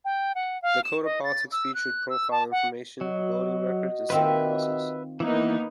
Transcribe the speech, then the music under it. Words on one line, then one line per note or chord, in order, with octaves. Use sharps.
DakotaPolitics featured profile information, voting records and some analysis.
G5
F#5
F5
E7
D#5
A6
E6
F#6
E6
A5
F#5
F#3 F#4 D#5
D#3 C4 F4 B4 E5
E3 A#3 B3 D#4 E4 B4